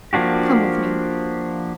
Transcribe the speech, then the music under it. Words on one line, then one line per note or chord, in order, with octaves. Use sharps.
Come with me.
F3 A#3 D4 F#4 G4